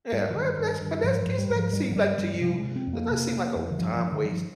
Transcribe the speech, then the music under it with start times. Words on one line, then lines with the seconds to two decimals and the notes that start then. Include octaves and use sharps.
Yeah, well, but that's but that's case, like seem like to you does that seem like a w time waste,
0.12 G#2 G3
0.30 F3
0.35 G2 D#3
0.58 G2
0.81 G2
1.04 G#2 F3
1.22 G#2 F3
1.38 G3
1.50 G#2
1.56 F3
1.73 G2 G3
1.91 F3
1.96 G2 G3
2.18 G2 G3
2.34 G3
2.41 C3 F3
2.58 G#3
2.64 C3
2.76 C4
2.87 F2
2.93 A#3
3.10 C3
3.32 C3
3.55 F2
3.71 D#3
3.78 G2 F3
3.96 F3
4.01 G2
4.12 D#3
4.24 G2 G3
4.30 F3